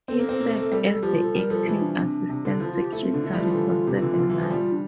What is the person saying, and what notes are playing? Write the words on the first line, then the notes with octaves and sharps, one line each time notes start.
He served as the acting Assistant Secretary for seven months.
C4 A4
A#3
C4
A#3
A3
A3
G3 A4
A4
A4
F3 G4
F4
A4
G3 A#4
F3 A4
E3 E4
D4
C3
C3
D3
F3 E4
F4
G4
A3 E4
C4
D3 D4
A3 E4
G3
F3 F4
E3
D3
C3 G4
E3 F4
D3
F4
D3
E3
F3
G3
D4